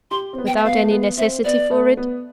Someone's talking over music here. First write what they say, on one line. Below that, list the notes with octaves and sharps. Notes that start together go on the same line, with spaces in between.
"Without any necessity for it?"
G4 C6
C4
B3
G5
E5
B3 F5
A3
B3
C4 E5
B3 D5
A3
B3